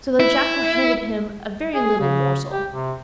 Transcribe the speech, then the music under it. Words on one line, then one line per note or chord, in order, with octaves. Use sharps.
So the jackal handed him a very little morsel.
E4
G#4
C#3
G4
C3